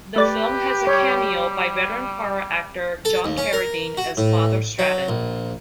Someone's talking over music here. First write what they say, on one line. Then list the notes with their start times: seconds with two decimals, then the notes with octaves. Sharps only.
The film has a cameo by veteran horror actor John Carradine as Father Stratten.
0.16 A3 G4 B4 D5 A6
0.87 G3 C#5
3.05 A4
3.24 D#2
3.38 C#4
3.53 A#4
3.97 F#4
4.17 A2
4.79 F#3
5.09 A#1